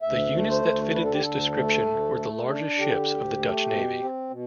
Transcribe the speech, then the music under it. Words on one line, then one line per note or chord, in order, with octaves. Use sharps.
The units that fitted this description were the largest ships of the Dutch navy.
D2 E5
A3
C5
D2
D3 B4
A4
G4
D2 A4
A3
D2
A3
D4
D3 G4
D2
A3
B2
C4
B2